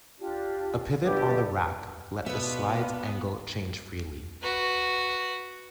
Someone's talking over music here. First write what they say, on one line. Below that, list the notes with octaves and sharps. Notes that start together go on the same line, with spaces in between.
A pivot on the rack let the slide's angle change freely.
D4 F4 G4
G1 B2 G4 A4 B4 D5
B2 B3 D4 F4 B4 E5
F#4 B4